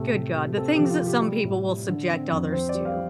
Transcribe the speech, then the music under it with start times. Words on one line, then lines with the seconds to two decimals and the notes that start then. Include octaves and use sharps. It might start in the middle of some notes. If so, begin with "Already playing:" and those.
good god, the things that some people will subject others to.
Already playing: A2 C3 A3
0.14 C3
0.35 C3
0.57 C4 A4
0.73 G4
0.79 F3
0.90 F4
1.01 C3
1.06 G4
1.22 G3
1.44 A2
1.66 G3
1.87 D3
2.09 C4
2.31 F2
2.52 C4 C5
2.69 D5
2.75 G3
2.85 F5